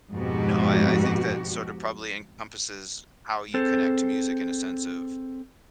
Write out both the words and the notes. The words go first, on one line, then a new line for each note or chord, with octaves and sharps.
no, I I think that sorta probably encompasses how you connect to music in a sense of
F2 G#2 B2 F#4 G4
C4 G#4 A4 C5